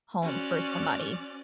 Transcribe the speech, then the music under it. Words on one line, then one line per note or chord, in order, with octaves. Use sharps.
home for somebody.
C#4 F#4 C5 D5 F6